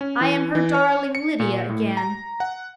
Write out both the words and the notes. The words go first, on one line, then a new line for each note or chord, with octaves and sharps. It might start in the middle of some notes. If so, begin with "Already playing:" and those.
I am her darling Lydia again!
C#4
E3
E3
C#5
C#7
A#2
A2
A#5
F#5